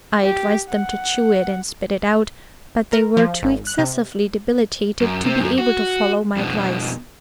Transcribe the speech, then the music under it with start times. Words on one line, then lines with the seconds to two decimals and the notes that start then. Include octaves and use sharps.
I advised them to chew it and spit it out; but they were too excessively debilitated to be able to follow my advice.
0.24 G4
0.70 F#5
2.93 A#4
3.17 F3
3.43 G#1
3.67 F#6
3.79 C3
5.01 F#2
5.24 C3 C4
5.39 F#2
5.59 F#4
6.36 F2 B2